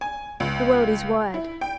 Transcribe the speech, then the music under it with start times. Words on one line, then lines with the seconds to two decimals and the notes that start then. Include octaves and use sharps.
The world is wide.
0.01 G#5
0.40 C#2
1.34 E4
1.61 G5